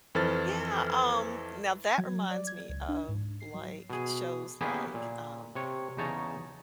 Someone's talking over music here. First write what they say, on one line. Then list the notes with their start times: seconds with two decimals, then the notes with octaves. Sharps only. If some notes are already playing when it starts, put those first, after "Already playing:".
Yeah, um, now that reminds me of, like, shows like, um,
0.15 F2 E3 A4 C5 F6 A6
1.85 G#6
1.98 F#3
2.31 D5
2.47 G#6
2.69 C#2
2.89 D4
3.09 G#2
3.40 C7
3.54 F#3
3.90 B2 G#4
4.61 A#3 B3 C#4 E4 G4 G#4
4.94 A#2
5.55 C3 C#5
5.97 E2 C#3 D#4 C#5 A5 A#5